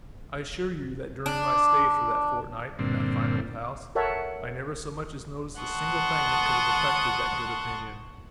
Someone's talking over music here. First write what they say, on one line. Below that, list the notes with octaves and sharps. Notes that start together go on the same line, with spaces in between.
I assure you that during my stay for that fortnight in that fine old house, I never so much as noticed a single thing that could have affected that good opinion.
D4
G2 A#2 D3 C4
A4 A#4 C#5 E5 F#5 A5
F#5 A5 C6 C#6 D#6